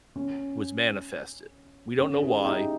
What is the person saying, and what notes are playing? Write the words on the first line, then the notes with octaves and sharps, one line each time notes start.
was manifested. We don't know why.
C#4
C#4
E4 G#4
D#4 G4